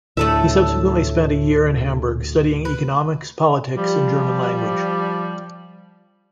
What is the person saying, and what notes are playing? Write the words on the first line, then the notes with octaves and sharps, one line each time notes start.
He subsequently spent a year in Hamburg studying economics, politics, and German language.
D2 A2 A3 A4 E5
B4
F3 G3